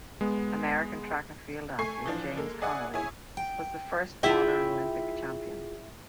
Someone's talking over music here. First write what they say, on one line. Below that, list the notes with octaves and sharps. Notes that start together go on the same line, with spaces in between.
American track and field athlete James Connolly was the first modern Olympic champion.
G#3 B3
A3 G#5 C#6 C7
E3 F3 D4
G#3 A#3 A4
G#4 D5 E5 F#5 G#5
E4 G#4 C#5 G#5
G5
E4 F4 G#4 E5 G5